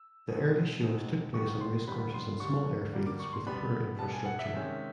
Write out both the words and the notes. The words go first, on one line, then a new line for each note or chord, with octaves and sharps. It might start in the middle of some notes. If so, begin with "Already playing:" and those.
The early shows took place on racecourses and small airfields with poor infrastructure.
Already playing: E6
B2 G#3 C4 D#4
B2 G#3 C4 D#4
G#2 D#3 G3 B3 C#6
C6
G#2 D#3 G3 B3 B5
C6
D3 G3 A#3 C#6
D3 G3 A#3
D6
C#6
C6
B2 G3 B3 D4 B5
B2 G3 B3 D4 A5
G#5
F#5
E5
C3 D#3 G#3 C#4